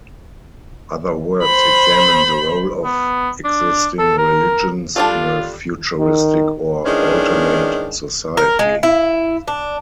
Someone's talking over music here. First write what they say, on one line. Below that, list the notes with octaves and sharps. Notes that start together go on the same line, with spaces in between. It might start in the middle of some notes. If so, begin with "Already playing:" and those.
Other works examine the role of existing religions in a futuristic or alternate society.
C5 B5
B3
D4
A4
A#4
G3 D4 F4 A4
D#3
D#3 E3 G#3 C#4 D4
A#4
G#3
E4
D4